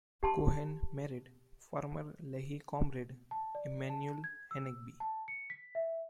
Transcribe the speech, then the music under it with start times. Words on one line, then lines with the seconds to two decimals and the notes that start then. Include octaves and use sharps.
Cohen married former Lehi comrade Emanuel Hanegbi.
0.23 G4 A5 C6
3.31 A5
3.55 D5
3.90 A5
4.24 G#6
4.51 E6
5.00 A5
5.28 C#7
5.50 B6
5.75 E5